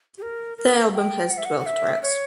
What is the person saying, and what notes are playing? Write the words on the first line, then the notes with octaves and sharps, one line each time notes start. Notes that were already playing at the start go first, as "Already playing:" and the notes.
The album has twelve tracks.
G4
A#4
A#4
G5
F#5
E5
F#5
F#5
E5
C#5